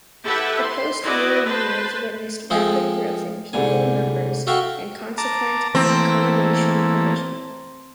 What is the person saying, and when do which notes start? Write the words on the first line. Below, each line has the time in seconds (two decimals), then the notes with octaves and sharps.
The post-war years witnessed rapid growth in pupil numbers and consequent accommodation provision.
0.24 E4 G4 A4 B4 E5 F#5
0.62 C6
1.02 E4 F#4 D5 D#5
1.43 B4 C5 A5
2.50 F3 G#3 C4 G#4 A4
3.53 C2 G#2 D3 G#5
4.47 F#4 A4 E5 F5 G5 C#6
5.18 A5 A#5 D6
5.75 E3 A3 A#3 C4